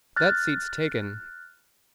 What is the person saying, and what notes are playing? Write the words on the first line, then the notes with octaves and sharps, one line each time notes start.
That seat's taken.
F6 F#6 A6